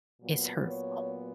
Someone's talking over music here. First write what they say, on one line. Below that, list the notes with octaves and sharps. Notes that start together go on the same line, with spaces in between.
It's her fault.
A#2 F#3 B3
C#5